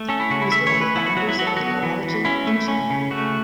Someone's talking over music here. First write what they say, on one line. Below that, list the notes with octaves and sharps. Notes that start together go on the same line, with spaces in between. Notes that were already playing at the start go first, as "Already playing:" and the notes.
He was one of the founders of mineralogy in China.
Already playing: A3
C#4 A4
E4
C#3 F#4
E4
A3 E5
C#5
E3
B4
B3 E4
F#4
F#3 F#4
E4
F#3 F#4
A4
B3 F#4
E3
E3
C#4 E4
A3
C#4
C#3
A3 F#4